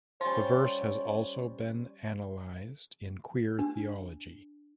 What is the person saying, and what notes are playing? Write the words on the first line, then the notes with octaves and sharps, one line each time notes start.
The verse has also been analyzed in queer theology.
G3 C#4 F4 C5 C#5 C6
D4